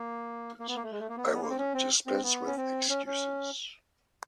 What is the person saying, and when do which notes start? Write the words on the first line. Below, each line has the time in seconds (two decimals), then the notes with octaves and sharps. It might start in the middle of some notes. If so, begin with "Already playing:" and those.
I will dispense with excuses.
Already playing: A#3
0.59 A#3
0.68 B3
0.76 A#3
0.84 A3
0.92 G#3
1.00 A3
1.09 A#3
1.17 B3
1.25 A#3
1.33 B3
1.42 A#3
1.50 C4
1.58 C#4
1.74 C4
2.06 C4
2.23 B3
2.46 C#4
2.56 C4
2.89 C#4
3.06 C#4